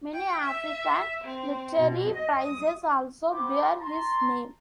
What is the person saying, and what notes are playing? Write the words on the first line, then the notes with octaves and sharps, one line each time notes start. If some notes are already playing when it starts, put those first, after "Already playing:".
Many African literary prizes also bear his name.
G5
E5
C4
B2
D#5
D#6
B3 C4 G4 C5 D6
A5 A#5 C6